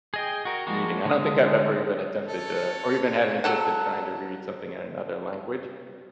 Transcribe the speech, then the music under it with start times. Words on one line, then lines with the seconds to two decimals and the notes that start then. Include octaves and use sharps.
reading. I don't think I've ever even attempted to or even had an interest in trying to read something in another language.
0.14 G#4 D#5 G5
0.45 F#4 A#4
0.67 F3 G3 G#3 A#3 F#4
1.05 D3 G#3 D#6
2.28 A4 C#5
3.44 F#3 A4 F#5